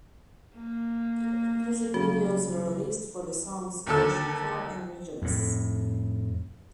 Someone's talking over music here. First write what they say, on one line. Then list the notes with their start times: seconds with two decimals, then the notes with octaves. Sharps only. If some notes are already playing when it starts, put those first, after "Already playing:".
Music videos were released for the songs "Ocean Floor" and "Rejoice".
0.56 A#3
1.94 C#3 F#3 F#4
3.87 D#2 D3 A4 E6
5.22 F2 A2